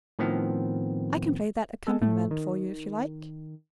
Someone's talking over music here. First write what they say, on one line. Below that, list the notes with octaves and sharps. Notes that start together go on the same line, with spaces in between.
I can play that accompaniment for you if you like.
A2 D#3 F3 B3 C4
G#3 A4
A2 A3
D#3